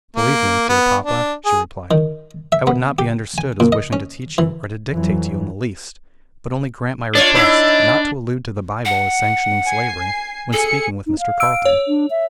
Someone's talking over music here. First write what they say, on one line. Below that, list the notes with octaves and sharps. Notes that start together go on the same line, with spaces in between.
"Believe me, dear papa," she replied, "I would not be understood as wishing to teach you, or to dictate to you in the least; but only grant my request, not to allude to the Bible as sanctioning slavery, when speaking with Mr. Carlton."
A#3
B3
D4
G#4
D#3
E5
B3
G4
G#5
A#2
D#5
C#4
E3
F2 E3 F#3
D4 F4 C#5 D5
D#4 E4
F#5
G#5 C7
G#4 A4 C#7
D#4
F5
E6 D7
C#5
D4
E5